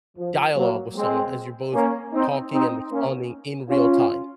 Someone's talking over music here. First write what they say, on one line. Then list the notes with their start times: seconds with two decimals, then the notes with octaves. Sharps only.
dialogue with someone as you're both talking and responding in real time.
0.17 F3
0.56 F#3 A#3
0.96 G#3 C4
1.74 A#3 C#4
2.13 C4 D#4
2.52 C4 D#4
2.91 A#3 C#4
3.70 C#4 F4